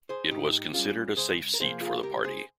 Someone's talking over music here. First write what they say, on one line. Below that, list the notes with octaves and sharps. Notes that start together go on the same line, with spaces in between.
It was considered a safe seat for the party.
G#4 C5
G#2 D#4 G4
G3 C#4 F4 G#4
C#2 G#4 C5
A#4
C3 F3 A#3 G#4 C5
F4 G#4
C#2 G4 A#4
G#4 C5